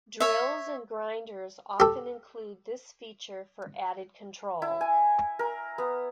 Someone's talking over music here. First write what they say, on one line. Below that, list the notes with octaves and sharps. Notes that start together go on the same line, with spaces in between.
Drills and grinders often include this feature for added control.
C#5 E5
G4 A4
E4
G#5
A#4
B3